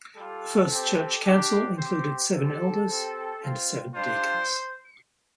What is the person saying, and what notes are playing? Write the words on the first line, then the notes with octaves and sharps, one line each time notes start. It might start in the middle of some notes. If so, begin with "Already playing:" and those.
The first church council included seven elders and seven deacons.
G3 F4 A4
C4 G4
G3 D4 G4
C4 G4 C5
C4 G4 A4
C4 G4
C4 F4
G3 D4 F4 C5